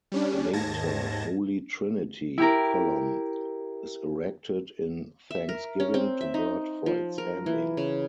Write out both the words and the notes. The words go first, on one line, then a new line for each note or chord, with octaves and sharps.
Later Holy Trinity column is erected in thanksgiving to God for its ending.
G3 C#4 D4
D#2 G#2 A5 G#6 A#6
E4 G4 A#4
E5
A#4
C#4
C4
E5
D#4
F3
A#4
E3
C#3